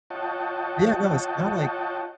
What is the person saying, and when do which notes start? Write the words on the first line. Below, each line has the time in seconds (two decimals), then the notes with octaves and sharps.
Yeah, no, it's kinda like
0.10 F4 C#5 D#5 F#5 G5 A5